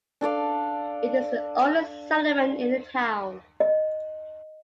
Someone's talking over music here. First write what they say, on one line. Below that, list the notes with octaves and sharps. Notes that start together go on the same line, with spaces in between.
It is the only settlement in the town.
D4 A4 D5 F5
D#5